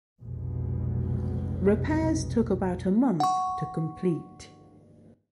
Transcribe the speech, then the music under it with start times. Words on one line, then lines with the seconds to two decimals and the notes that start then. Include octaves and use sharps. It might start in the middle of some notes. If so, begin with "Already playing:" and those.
Repairs took about a month to complete.
0.20 F1 B1 F2 B2 G#3
3.20 F#5 C#6